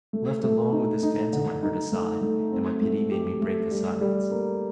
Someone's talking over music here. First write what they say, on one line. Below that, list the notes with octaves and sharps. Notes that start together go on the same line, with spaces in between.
Left alone with this phantom I heard a sigh, and my pity made me break the silence.
A3
A3
D#4
D#4
D3
D#4
A3
A3
C4
A3
G4
A3
G3
G3
A#3